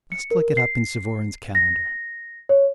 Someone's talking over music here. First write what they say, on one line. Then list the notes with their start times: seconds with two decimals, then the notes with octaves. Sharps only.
I must look it up in Suvorin's calendar.
0.12 C#7
0.31 A#4
0.57 C7
1.55 A#6
2.49 C#5